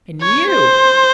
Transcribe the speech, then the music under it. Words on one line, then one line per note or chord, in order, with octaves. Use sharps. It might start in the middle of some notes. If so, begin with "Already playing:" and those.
And you!
C#5
C5